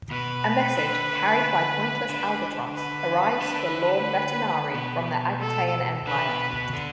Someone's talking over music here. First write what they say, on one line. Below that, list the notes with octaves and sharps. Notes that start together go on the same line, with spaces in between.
A message, carried by pointless albatross, arrives for Lord Vetinari from the Agatean Empire.
B2 B3 B4
D3 D4
D3 D4
B4
D3 D4
B2 B3
A4
D3 D4 B4
B2 B3
B2 B3
D3 D4